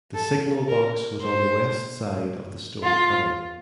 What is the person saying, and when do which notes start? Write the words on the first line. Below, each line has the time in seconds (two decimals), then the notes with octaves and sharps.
The signal box was on the west side of the stone cutting.
0.14 A4
0.68 A#4
1.21 C5
2.83 F4